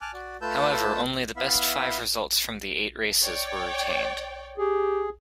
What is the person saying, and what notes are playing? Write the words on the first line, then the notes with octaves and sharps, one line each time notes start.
However, only the best five results from the eight races were retained.
G#5 A5 D6 F6 F#6
F#4 D5
A3 F4 B4 A5 E6 G6
B3 E4 E5 F5 B5
C#5 D5 G5
G4 G#4